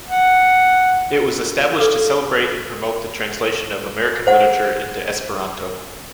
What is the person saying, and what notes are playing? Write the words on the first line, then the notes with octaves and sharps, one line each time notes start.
It was established to celebrate and promote the translation of American literature into Esperanto.
F#5
A4 B4 F5 D6
C5 F#5